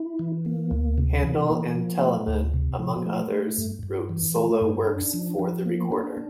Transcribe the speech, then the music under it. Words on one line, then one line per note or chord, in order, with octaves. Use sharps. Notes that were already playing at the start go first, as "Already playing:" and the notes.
Handel and Telemann, among others, wrote solo works for the recorder.
Already playing: E4
E3
A#3
D2
C3
E3
A#3
F3
A3
D2
C3
F3
A3
A3
G2
G2
E3
A3
G2
D4
F3
F3
A#3
D4